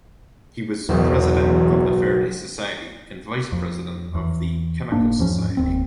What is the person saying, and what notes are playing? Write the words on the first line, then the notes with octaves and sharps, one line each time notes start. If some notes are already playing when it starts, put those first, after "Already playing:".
He was President of the Faraday Society and Vice-President of the Chemical Society.
F#1 B1 E2
F2
E2
F1 G#2 A#3 D4
E2 G#2 F3 C#4
F1 D#2 C4